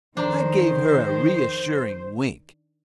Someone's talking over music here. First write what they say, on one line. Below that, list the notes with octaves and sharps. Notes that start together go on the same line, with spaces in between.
I gave her a reassuring wink.
F2 D#3 D4 C5 A#5